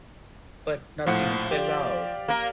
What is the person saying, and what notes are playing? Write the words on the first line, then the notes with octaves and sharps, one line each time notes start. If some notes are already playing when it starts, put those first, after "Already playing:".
But nothing fell out.
A#1 A2 F3 F#5
G4 D5
A#3 A#4